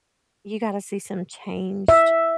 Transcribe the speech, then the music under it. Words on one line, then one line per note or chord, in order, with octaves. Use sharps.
you gotta see some changed
E5